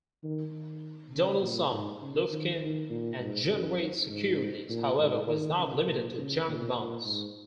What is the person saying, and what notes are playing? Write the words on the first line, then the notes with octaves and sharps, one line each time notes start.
Donaldson, Lufkin and Jenrette Securities, however, was not limited to junk-bonds.
D#3
D#3
C#3
A#2
G#2
C#3
D#3
D#3
A#2
G#2
F#2
G#2
A#2
G#2
D#3
C#3
A#2
C#3
A#2
A#2
G#2